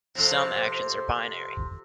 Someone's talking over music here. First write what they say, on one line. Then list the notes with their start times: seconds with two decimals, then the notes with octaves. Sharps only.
Some actions are binary.
0.15 C3 F3 A4